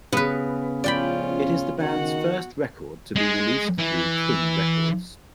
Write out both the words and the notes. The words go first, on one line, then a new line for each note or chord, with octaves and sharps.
It is the band's first record to be released through King Records.
C#3 B3 B4
A2 F3 C#4 F4 D5 G5 B5
D#3 F#4 F#5
G#3 G#4
E3